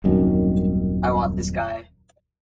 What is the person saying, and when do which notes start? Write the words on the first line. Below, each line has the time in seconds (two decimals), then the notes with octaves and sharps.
I want this guy.
0.04 D#1 C2 F#2 D#3